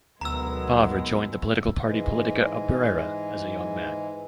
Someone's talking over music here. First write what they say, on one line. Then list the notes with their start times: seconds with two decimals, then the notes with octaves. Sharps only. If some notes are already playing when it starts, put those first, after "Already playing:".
Favre joined the political party Politica Obrera as a young man.
0.21 D2 B2 D#3 F#3 G#3 B3 A#5 E6
1.80 G#2 E3 G#3